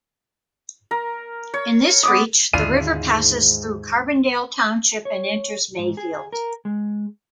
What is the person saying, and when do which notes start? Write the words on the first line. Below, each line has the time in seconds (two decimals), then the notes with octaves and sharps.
In this reach, the river passes through Carbondale Township and enters Mayfield.
0.91 A#4
1.54 C#5
2.03 B3 D6 D#6
2.53 D#2 G#2 D3 D4 E4 F4 D#7
5.05 C#5
5.78 G#2
5.97 G#4
6.33 A#4
6.65 G#3